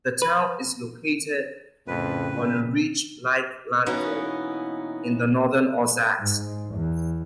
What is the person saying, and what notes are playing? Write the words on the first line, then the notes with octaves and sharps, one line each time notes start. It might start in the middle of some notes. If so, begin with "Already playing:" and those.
The town is located on a ridge-like landform in the northern Ozarks.
B4
F2 A2 C#3 B4
A#2
B2 E3 A#3 B3 C#4 D#4
G#2
E2